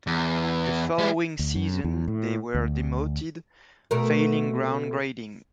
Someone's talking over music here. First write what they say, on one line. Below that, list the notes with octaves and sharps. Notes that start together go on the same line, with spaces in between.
The following season they were demoted, failing ground grading.
E2
G3 G#3
D2
F#2
E2
A2
D2
B2 A3 A#4